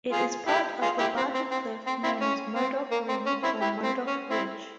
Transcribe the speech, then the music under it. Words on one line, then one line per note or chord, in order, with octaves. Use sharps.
It is part of the larger cliff known as Modoc Rim or Modoc Ridge.
F4 G#4
E4 G4
F4 G#4
E4 G4
C4
C4
C4
C4
C4 E4
C#4
C4
A#3
C4
C#4
C4 E4
E4 G4
C4
C#4
C4 E4